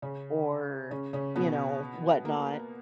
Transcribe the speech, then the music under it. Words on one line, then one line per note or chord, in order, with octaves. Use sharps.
or, you know, whatnot,
C#3 C#4
C#3 C#4
C#3 C#4
B2 B3
A#3